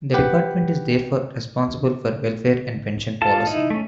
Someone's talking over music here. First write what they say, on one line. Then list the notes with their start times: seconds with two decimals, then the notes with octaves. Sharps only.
The Department is therefore responsible for welfare and pension policy.
0.14 G4 B4 F#5
3.22 F4 A4 A5
3.47 D#4 E4
3.70 A3 C#4